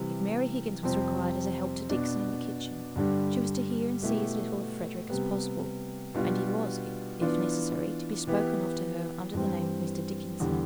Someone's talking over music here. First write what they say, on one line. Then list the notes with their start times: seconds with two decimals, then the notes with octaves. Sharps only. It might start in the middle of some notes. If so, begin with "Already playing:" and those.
If Mary Higgins was required as a help to Dixon in the kitchen she was to hear and see as little of Frederick as possible; and he was, if necessary to be spoken of to her under the name of Mr. Dickinson.
Already playing: C3 E3 G3
0.83 F2 C3 G3 C4
1.90 B2 B3 D4
2.96 G2 D3 G3 D4
4.02 B2 A3 E4 G4
5.09 C3 G3 B3
6.14 B2 G3 D4 F4
7.21 E3 B3 D4 F4
8.27 E3 B3 E4 G4
9.34 G2 E3 G3 C4
10.40 E2 D3 G3